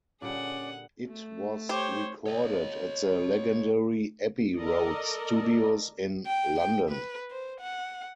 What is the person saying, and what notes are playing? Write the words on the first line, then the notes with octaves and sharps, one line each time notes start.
It was recorded at the legendary Abbey Road Studios in London.
A#2 D3 G3 C#4 G#4 D5 F#5
A3
G4 C5 C#5
C#5 D#5
A4 A#4 D5 D#5
G5
G5
B4
C5
F#5